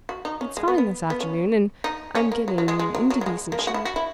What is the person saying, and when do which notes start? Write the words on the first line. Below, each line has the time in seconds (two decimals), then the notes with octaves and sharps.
It's fine this afternoon, and I'm getting into decent shape.
0.09 F#4
0.25 D#4
0.41 C#4
0.57 G#3
0.68 B3
0.78 B3
1.10 B3
1.21 C#4
1.84 D#4
2.15 C#4
2.32 A#3
2.48 F#3
2.58 F#3
2.68 G#3
2.79 G#3
2.95 F#3
3.10 F#3
3.21 F#3
3.26 G#3
3.52 A#3
3.59 G#3
3.67 F#4
3.74 E4
3.85 F#4
3.96 E4